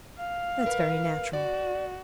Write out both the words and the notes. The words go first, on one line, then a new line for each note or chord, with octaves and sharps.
That's very natural.
F5
A#4 B4
F#4 D5